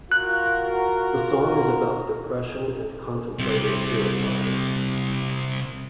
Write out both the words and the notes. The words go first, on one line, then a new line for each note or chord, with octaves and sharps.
The song is about depression and contemplating suicide.
F4 F#4 A#4 F#6
C3 G3